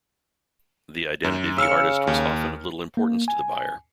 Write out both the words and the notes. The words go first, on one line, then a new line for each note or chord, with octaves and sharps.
The identity of the artist was often of little importance to the buyer.
F#2
C#3 E6 F6 C#7
D#2
A#3
G#5